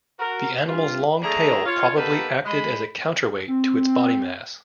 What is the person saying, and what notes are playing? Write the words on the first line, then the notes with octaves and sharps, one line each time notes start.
The animal's long tail probably acted as a counterweight to its body mass.
F#4 A#4
G2 F4
D3 A3 D4 G#4 A4 A#5
F4 C#5
A#3 B3 D#4 G4 A4 B4
G#3 D#5 B5
C4